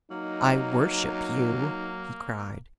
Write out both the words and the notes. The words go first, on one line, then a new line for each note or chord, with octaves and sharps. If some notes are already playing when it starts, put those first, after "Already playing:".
"I worship you," he cried.
F#3 A#3 D#4